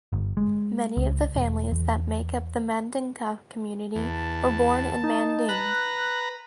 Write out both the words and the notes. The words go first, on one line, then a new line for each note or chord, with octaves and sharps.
Many of the families that make up the Mandinka community were born in Manding.
G1
G#3
C#2
E1
E2
E2 A5
D#4
B4 A#5 F#6